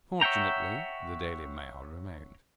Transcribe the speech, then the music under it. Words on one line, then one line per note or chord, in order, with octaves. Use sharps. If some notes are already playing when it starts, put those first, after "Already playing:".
Fortunately "The Daily Mail" remained.
C#5 E5 F#5 G5 A#5